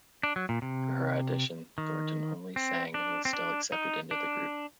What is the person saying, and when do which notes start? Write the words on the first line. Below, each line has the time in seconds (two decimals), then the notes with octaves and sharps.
For her audition, Thornton only sang and was still accepted into the group.
0.23 D4
0.36 F#3
0.49 A#2
0.62 C3
1.78 D#3
2.56 C4
2.94 D4
3.25 C4
3.33 D4
3.72 D#4
4.11 D4